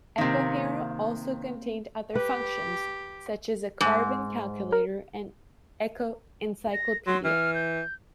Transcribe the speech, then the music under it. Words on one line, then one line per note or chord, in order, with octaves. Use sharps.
Ecohero also contained other functions, such as a carbon calculator and eco-encyclopedia.
C3 D#3 A#3 C4
G4 B4
G#2
A#4
A#6
F#3 C6
E3 F6
G6